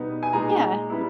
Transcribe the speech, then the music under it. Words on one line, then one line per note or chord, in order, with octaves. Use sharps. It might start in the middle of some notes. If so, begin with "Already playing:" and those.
Yeah, y
Already playing: B2 G3 B3 D#4
G#5
A#2 G#3 D#4 A#5
G3 B3 E4